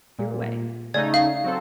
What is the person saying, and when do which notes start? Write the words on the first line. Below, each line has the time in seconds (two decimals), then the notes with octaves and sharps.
your way,
0.19 A#2
0.94 C#3 A3 D#4 D5 G#6
1.14 F5
1.44 F#3 C4 A4